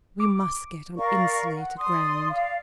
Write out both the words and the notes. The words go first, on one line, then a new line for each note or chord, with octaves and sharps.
We must get on insulated ground.
D6
A#4 D5 F5 C#6
F#5
D5 C6 D#6
D5 F5